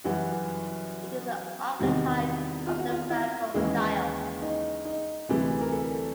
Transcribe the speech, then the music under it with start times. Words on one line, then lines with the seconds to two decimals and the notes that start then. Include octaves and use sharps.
It is the archetype of the Baphuon style.
0.04 F#2 C#3 E3 G3 F#4
1.79 E2 C3 D#3 G3 F#4
2.67 F4
2.78 F#4
2.91 F4
3.10 E4
3.54 D#2 C#3 E3 G#3
4.42 D#4
4.85 D#4
5.29 D2 C3 E3 G3 G#4
5.61 A#4
5.73 A4